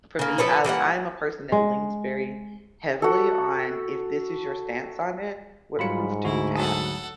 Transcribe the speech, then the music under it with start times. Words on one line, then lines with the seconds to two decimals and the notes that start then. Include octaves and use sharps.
for me, I I'm a person that leans very heavily on, "If this is your stance on it, what proof do you have?"
0.19 C#3 A#3
0.38 F3 A4 B4 C#5
0.64 E3 G3 A#3 F#5
1.52 G#3
3.02 F#4 A4
5.79 G#2 F#3 G3 F4 B5 C#7
6.25 D2 E4 F#4
6.56 F#3 A4 F#5 A5 D#6